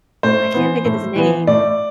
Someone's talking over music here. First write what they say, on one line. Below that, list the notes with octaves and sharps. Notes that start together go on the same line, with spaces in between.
I can't think of his name.
A2 C5
E3 B3
A2
E3 B3
A2 D5